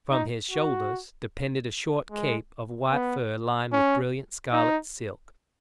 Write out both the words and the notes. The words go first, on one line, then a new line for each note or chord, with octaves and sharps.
From his shoulders depended a short cape of white fur lined with brilliant scarlet silk.
D#4
F#4
G#3
B3
C#4
D#4